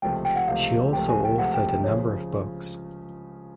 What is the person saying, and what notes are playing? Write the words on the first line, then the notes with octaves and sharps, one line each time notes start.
She also authored a number of books.
C#2 C3 F3 A3 G5
G5
F#5
C#2 C3 F3 A3 F5
C#2 C3 F3 A3 G5
G#5
G5
C#2 C3 F3 A3 F#5
G5
G5
C#3 F3 C#5